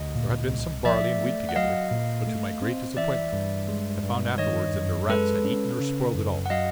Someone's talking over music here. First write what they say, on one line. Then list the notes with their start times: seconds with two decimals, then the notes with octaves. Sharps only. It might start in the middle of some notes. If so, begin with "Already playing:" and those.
There had been some barley and wheat together; but, to my great disappointment, I found afterwards that the rats had eaten or spoiled it all.
Already playing: D2 D#5
0.15 A#2
0.50 C2
0.85 F3 D5 E5
1.21 A3
1.49 F#5
1.56 F#3 D#5 F5
1.91 A#2
2.27 A3
2.62 C4
2.97 E3 D5 E5
3.33 G2
3.68 G#3
4.03 G2
4.38 D#3 C#5 D#5
4.74 F#2
5.09 G#3 A4 B4
5.45 C#4
5.80 C#3
6.15 F#2
6.46 F#5
6.50 F#3 D#5 F5